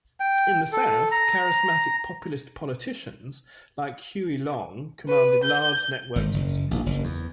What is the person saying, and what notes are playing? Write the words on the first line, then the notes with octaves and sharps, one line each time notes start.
In the South, charismatic populist politicians like Huey Long commanded large networks of supporters.
G5
A4
A#5
B4
G6
G#1
F#1
A#1
F#1
E2